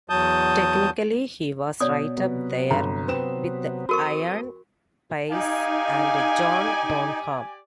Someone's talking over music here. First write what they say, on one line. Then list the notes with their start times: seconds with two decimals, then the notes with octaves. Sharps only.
Technically, he was right up there with Ian Paice and John Bonham.
0.10 E2 F#3 A5 D#6 G6
1.80 B2 C#5 D5 D#6
2.17 C3 F#3 B3
2.71 G1 A#5
3.08 C4 B4 E7
3.89 F#4 A4 A#4 C#6 D#6
5.31 D#4 G4 D5 F5 G#5